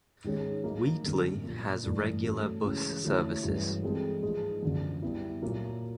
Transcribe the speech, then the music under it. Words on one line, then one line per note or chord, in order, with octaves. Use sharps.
Wheatley has regular bus services.
G#2 D#3 G#3 C#4
F#3 A#3 D#4
F#2 D3 G3 B3
A#2 F3 A#3
G2 E3 A3 D4
A3 C#4 F#4 A4
C#3 E3 G#3 C#4 E4
D3 F#3 A3 C#4 E4
G2 E3 G#3 C#4 F#4
E3 G#3 C4 E4 A4
G#2 F3 G#3
F#2 D3 F3
G3 B3 E4
A#2 F#3 A#3